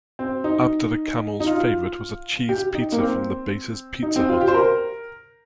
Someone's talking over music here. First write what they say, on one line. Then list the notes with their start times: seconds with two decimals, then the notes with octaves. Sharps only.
Abdullah Kamel's favorite was a cheese pizza from the base's Pizza Hut.
0.19 C4
0.44 D#4
1.40 D#4
1.47 F4
2.49 G4
2.74 D#4
2.92 A#3
3.00 C4
4.03 D#4
4.16 C4
4.29 F4
4.41 G4
4.48 C5
4.54 A#4